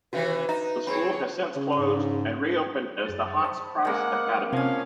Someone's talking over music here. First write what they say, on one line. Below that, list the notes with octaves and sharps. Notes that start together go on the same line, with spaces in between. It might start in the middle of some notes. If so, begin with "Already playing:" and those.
The school has since closed and re-opened as the Hans Price Academy.
C3 D#3 E3 F#4 B4
D#4 E5 A#5
C4 G#4 C#5 B5
C#3
G#2
F#2 G#4 A6
C5 A5 B5
G#3 A#3 F#5
C3 F3 C4 C#4 F5 G#5